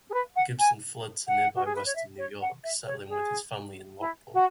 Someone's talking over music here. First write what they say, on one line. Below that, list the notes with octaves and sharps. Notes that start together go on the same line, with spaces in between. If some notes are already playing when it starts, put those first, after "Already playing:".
Gibson fled to nearby western New York, settling with his family in Lockport.
G#4
B4
F#5
G#5
F#5
F#4
G#4
B4
C#5
E5
C#5
F#5
E5
C#5
G#4
E4
F#4